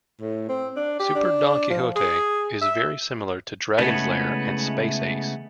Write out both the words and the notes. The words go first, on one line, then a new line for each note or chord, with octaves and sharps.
"Super Don Quix-ote" is very similar to "Dragon's Lair" and "Space Ace".
A2
C4
D4
G4
D4
F3
G#4
E5
C#3 E3 G#3 A3 B3